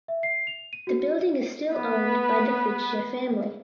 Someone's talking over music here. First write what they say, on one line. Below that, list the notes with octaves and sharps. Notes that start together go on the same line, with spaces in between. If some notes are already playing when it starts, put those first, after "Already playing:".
The building is still owned by the Fritzsche family.
E5
C7
F7
D#7
F#4
B3 B4